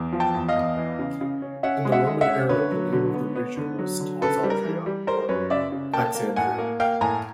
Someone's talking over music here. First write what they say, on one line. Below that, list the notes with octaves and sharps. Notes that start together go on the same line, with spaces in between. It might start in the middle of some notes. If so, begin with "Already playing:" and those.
In the Roman era the name of the region was Toxandria or Taxandria.
Already playing: E2
F3
G5 A5
E2
D#5 F5
E2
E3
C#3
C#3
C#4
C#4 E5 F#5
G#3
E5 F#5
G#3
E5 F#5
C#4
D3 B4 C#5
F#3
D3
B3
B3
D3
F#3
D3
C#3 A4 B4
G3
A#4
E3
G3
G3 A#4 C5
F#2 B4 C#5
C#3 D5 E5
C#3
A#3 G5 A5
A#3
A2 F#5 G#5
A#3
A#3 F5 G5
A2 G#5 A#5